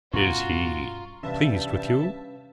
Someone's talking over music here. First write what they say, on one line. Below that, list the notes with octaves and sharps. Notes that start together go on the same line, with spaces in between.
"Is he pleased with you?"
G2 B2 C#4 F4 F#4 A#5 C6 C#6
G2 C3 E3 C#4 B4 E5 F5 A5